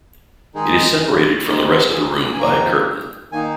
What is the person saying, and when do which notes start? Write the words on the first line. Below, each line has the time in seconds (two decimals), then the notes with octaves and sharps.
It is separated from the rest of the room by a curtain.
0.55 D#3 G#3 D#4 G#4
1.47 D#3 G#3 C4 D#4 A#4
1.70 C5
1.93 G#4
2.33 G#5
2.39 F2 D#3 A#3 A#5
3.32 D#3 A#3 D#4 G#5